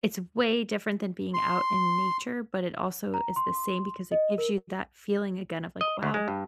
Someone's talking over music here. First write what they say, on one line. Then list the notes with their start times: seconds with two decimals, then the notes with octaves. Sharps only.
it's way different than being out in nature, but it also is the same because it gives you that feeling again of like, "Wow.
1.34 C6
3.14 A#5
3.36 C6
4.12 D#5
4.38 A#4
5.81 D#5
6.03 D2
6.14 G#3
6.28 G2